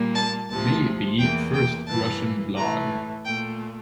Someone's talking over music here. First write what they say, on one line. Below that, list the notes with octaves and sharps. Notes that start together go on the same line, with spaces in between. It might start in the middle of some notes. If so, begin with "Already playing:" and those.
May be first Russian blog.
Already playing: A#2 G3 A#3
A5
D2 C3 F3 A5
E2 E3 A#3 G5
G5
G2 E3 A#3 A5
A2 E3 A3 A#5
A#2 A3 G5